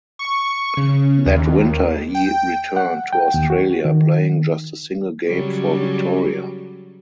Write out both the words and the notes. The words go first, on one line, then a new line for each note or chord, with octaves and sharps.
That winter he returned to Australia, playing just a single game for Victoria.
C#6
C#3
D#2
G5
F#5
G5
D#2
F#4
D#3
C#3 F#3 G3